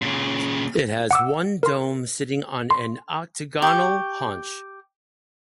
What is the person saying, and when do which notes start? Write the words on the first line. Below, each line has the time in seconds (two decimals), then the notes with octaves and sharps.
It has one dome sitting on an octagonal haunch.
0.02 A#2 C#3
1.11 F#5 D6 E6
1.63 A#4 C6
2.71 C6
3.62 G4 C#6